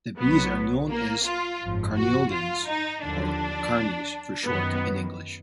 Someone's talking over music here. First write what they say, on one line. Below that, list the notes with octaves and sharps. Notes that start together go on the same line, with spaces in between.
These bees are known as Carniolans, or "Carnies" for short, in English.
B1 B2 F#3 B3
A#3
F4
G#1 F#2 F3
F#4
F4
D#4
D#2 D3 F3 D4
F#2 D#3 F#3 B3